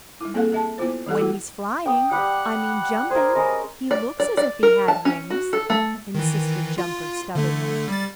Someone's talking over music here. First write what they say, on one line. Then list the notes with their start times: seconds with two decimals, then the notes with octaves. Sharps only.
"When he's flying, I mean jumping, he looks as if he had wings," insisted Jumper stubbornly.
0.21 G3 D#4 E4
0.34 A#3 C4 G#4 A4 F5 F#5
0.52 G#4 E5 A5
0.78 B3 E4 F4 C5
1.06 E3 D#4 G4 A4 F#5
1.19 A3 E4 F#4
1.86 G5 D#6
2.11 G3 G4 D5 F#5
3.10 G#4 A#4 C5
3.35 G#3 C#4 A#4 D#5
3.91 D5
4.20 D5
4.37 D5
4.63 A#4
4.88 A5
5.05 C#4
5.30 F#4
5.53 A4
5.70 A3
6.15 D#3 E3
6.78 F4
7.35 D3 A3
7.88 G3 A6